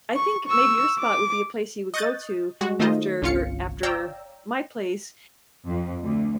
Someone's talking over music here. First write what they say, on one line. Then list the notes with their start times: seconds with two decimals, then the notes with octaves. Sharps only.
I think maybe your spot would be a place you would go to after after my place,
0.16 C#6
0.47 C#6 E6
0.99 D6
1.94 D#5 C#6 D#6 F#6 G6 A6
2.61 G3 G#3 F#4
2.79 D#3 A3 D#4 F4 C5 D#5
3.22 G1 C2 C#4 F4 F5 C#7
3.83 C#5 D5 F5 G5 A#5 E6
5.67 F2
6.03 D2